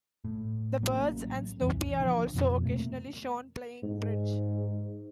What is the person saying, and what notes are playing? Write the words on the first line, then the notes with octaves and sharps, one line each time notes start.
The birds and Snoopy are also occasionally shown playing bridge.
A2
A1 F#3 A#3 C#4
D#1 C2 F2 E3
D3 D#3 F3
F2 B2 F3
E2 C3 A3 A#3
G#2